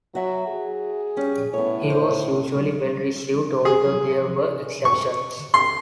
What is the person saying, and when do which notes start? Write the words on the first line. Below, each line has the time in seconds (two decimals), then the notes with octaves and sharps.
He was usually well-received although there were exceptions.
0.15 F#3 F#4 E5
0.48 G#4
1.17 G3 C#4
1.54 A2 B3 C#5
1.90 C5
3.65 G#4
4.85 C#6
5.54 C6